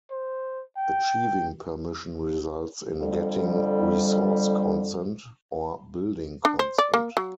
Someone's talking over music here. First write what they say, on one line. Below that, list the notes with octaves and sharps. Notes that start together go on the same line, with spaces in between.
Achieving permission results in getting "Resource consent" or "Building consent".
C5
G5
F2 D3 G3
D4
C5
D5
A#3
F#3